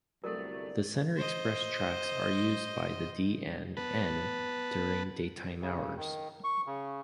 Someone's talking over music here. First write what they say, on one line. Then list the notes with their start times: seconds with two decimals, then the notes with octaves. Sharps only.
The center express tracks are used by the D and N during daytime hours.
0.24 G1 C2 F#3 A3 A4 A#4 D5
1.16 C5 D#5
3.77 B3 B4 A5
5.61 C#3
5.97 D#3
6.44 C#6
6.66 C#3